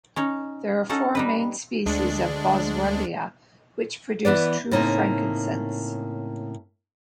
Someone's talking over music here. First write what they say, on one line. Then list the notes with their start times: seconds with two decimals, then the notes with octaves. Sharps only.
There are four main species of "Boswellia" which produce true frankincense.
0.16 C#4 D#4 C#5
0.89 C#4 D#4 A4 F#5
1.15 G3 D#4 B4
1.86 D2 G#3 D4
4.25 E3 B3 B4 D5
4.71 A2 C#3 A#3 C4 D#4